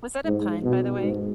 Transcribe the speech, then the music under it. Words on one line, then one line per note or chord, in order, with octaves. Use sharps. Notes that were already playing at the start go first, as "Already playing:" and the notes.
was that a pun, by the way?
G#2
B2
G#2